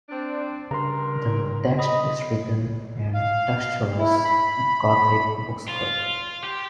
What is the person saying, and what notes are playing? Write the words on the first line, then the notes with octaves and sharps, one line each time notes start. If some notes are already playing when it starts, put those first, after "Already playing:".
The text is written in Textualis Gothic bookscript.
C4 D4
G2 C#3 A#4 A#5 C6
D#5 B5 D#6
F5
E4
B5
F4
G4